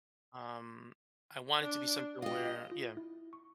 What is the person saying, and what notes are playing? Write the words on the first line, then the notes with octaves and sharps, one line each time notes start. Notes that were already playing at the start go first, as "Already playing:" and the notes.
Um, I want it to be something where Yeah.
D4
F4 G4 D#5
F4
E4
C#6